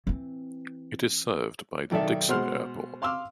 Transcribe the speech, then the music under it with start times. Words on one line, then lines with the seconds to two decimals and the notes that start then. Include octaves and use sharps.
It is served by the Dikson Airport.
0.07 E3 C4
1.91 B1 D#3 A4 D5 E5
2.28 B2 G#3 C5 F#5 C6 F6
3.02 F5 C6 D6 E6 F6